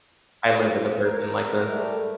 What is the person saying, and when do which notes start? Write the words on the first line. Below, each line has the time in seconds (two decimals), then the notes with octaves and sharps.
I live with a person like this.
1.06 A#4
1.64 G3 A3